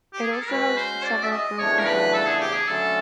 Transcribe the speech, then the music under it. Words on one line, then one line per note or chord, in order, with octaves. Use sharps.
It also hosted several Frozen Fours.
G4
G#4
A4
A#4
G#3 C#4 F#4 B4
C5
D5
E5
D#5
E2 C#3 F3 A3 D4 C#5
A#4
B4
A4
G#4
G4
G#4
D3 F#3 A3 C#4 A4